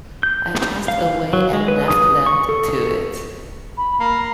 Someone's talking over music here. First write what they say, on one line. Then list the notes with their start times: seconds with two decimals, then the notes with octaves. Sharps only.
I passed away and left them to it.
0.23 G6
0.88 F5
1.33 F#3
1.53 G#3
1.68 B4
1.88 D#6
2.26 C#6
2.49 A4
3.77 B5
4.00 A#3